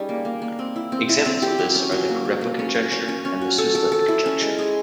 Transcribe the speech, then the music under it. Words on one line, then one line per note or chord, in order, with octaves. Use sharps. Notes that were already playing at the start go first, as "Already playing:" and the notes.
Examples of this are the Kurepa conjecture and the Suslin conjecture.
Already playing: G3 C#4 D#4 G#4
A#3
A#3
A#3
C4
E4
C4
E4
C4
G4
F#3
C#4
F#3
A#3
F#3
A#3
C#4
A#4
C#4
C#4
C#4
F#4
A4
A4
A4
E4
C#4
G#3
G#4